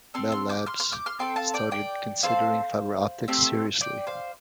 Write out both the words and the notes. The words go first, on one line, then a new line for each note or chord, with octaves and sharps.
Bell Labs started considering fiber optics seriously.
C4 A4 C6 F6
C6 F6
D6 G6
C6 F6
C6 F6
D6 G6
C6 F6
C4 A4 G5 C6
F5 A5
D5 G5
D5 G5
C4 F4 A4 C5 F5
A3 C4 G4
D5 G5
C5 F5